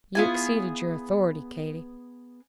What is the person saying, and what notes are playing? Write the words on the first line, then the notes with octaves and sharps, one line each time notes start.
"You exceeded your authority, Katie."
B3 E4 F4 G#4 G#5